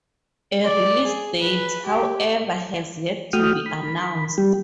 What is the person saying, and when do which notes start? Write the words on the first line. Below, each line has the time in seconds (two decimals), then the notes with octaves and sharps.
A release date, however, has yet to be announced.
0.64 D5
1.05 G#4
1.41 B4
1.86 G4
3.33 A3 F#4 G5 D#6 F6
3.66 B5
4.38 G3 G4